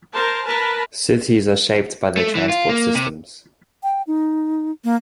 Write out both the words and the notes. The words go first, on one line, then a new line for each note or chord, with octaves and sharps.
Cities are shaped by their transport systems.
A#4 C5 A5
A#4 B4 A5 B5
A3
E3
F4
A#3
C3
G5
D#4
A#3